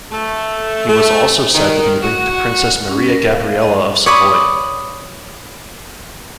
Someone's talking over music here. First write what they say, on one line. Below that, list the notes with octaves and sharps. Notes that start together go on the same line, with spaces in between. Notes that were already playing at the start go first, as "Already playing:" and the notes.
He was also said to be linked to Princess Maria Gabriella of Savoy.
A3
A3
D#3
F#4
C#4
A#4
F5
D#5
C#5 D5 B5 D#6